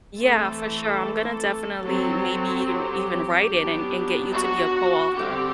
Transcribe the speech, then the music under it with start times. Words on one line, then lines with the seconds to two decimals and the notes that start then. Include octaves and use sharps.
Yeah, for sure, I'm gonna definitely maybe eve even write it and and get you to be a co-author.
0.18 E3 A3 C4 A4
1.84 F#3 C4
2.67 G4
3.50 F#3 B3 D4
4.32 F#4
5.15 D3 G3 C4 G4